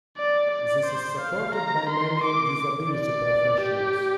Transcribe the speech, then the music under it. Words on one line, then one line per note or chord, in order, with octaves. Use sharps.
This is supported by many usability professionals.
D5
D5
C5
F5
A#5
C6
D6
D5
G4